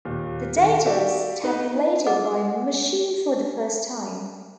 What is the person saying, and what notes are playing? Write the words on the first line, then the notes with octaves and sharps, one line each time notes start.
The data was tabulated by machine for the first time.
D#2 A#2
D#3 F#5
F#4 G4 D5 E5 F5
D#4 B4
G#4 D#5 F#5 D6